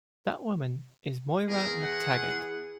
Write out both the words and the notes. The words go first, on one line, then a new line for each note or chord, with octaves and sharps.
That woman is Moira MacTaggert.
E2 G#4 A#4
F#5